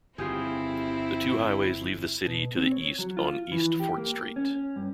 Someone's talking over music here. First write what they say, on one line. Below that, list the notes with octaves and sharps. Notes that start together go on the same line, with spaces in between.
The two highways leave the city to the east on East Fort Street.
G1 F2 D#3 C4 E4 F4 G4 G#4
B2
C4
C#5
F#3
F4
E3
G4
A#3
C#4
G2